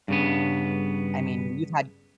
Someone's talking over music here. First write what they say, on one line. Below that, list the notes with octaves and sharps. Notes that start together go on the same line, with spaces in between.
I mean, you've had
G2 C#3 B3